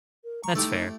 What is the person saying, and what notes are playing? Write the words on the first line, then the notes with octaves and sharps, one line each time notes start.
That's fair.
A#4
A#5 C#6
A3 D#4 E4 G4